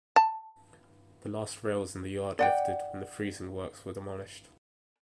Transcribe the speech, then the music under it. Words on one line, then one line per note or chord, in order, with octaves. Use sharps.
The last rails in the yard lifted when the freezing works were demolished.
A5
D5 F#5 G5